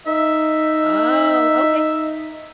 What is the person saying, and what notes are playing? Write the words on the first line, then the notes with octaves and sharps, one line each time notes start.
Oh, okay.
D#4 E5